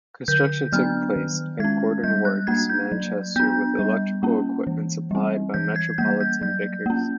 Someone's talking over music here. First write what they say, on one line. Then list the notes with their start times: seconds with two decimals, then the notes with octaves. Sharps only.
Construction took place at Gorton Works, Manchester with electrical equipment supplied by Metropolitan-Vickers.
0.28 D3 G6
0.72 F#3 B3 D4 F6
1.16 D#3
1.59 G#3 C#4 G#6
2.04 G3 G6
2.25 F#6
2.47 A#3 D4 G#6
2.70 G6
2.92 F#3
3.36 B3 D4 G6
3.79 G3
4.23 A#3 C#4
4.67 E3
5.11 G3 C4
5.54 E3 G6
5.76 G#6
5.98 G3 A#3 G6
6.21 G6
6.42 F#3 G6
6.86 A#3 C#4